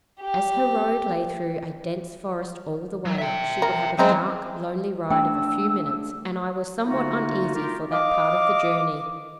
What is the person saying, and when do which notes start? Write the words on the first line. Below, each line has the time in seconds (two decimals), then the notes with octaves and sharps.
As her road lay through a dense forest all the way, she would have a dark, lonely ride of a few minutes, and I was somewhat uneasy for that part of the journey.
0.20 G4
3.05 F#3
3.18 E5 G5
3.62 A#4
3.98 F#3 G#3 C4 C#4 D#4 E4
5.10 A3 D4 G5 E6
6.87 D3 A3 A#3 D#4 F4 F#4
7.55 D#4 F4 G4 A#4
7.92 D#5 F5 D6